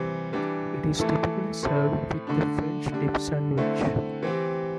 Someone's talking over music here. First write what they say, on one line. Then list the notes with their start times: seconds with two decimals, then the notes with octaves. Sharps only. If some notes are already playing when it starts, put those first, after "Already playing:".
It is typically served with the French dip sandwich.
Already playing: C3 E3 G3 C4
0.33 E3 G3 D4 G4
0.98 E3 A3 E4 A4
1.63 A2 A3 C4 E4 A4
2.27 D3 A3 D4
2.92 D3 G3 D4
3.57 D3 A3 C4 E4
4.23 E3 C4 G4